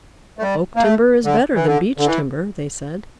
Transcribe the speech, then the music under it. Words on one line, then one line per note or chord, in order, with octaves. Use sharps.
"Oak timber is better than Beech timber," they said.
A3
G3
A#3
A3
D3
E3
D3
D3
E3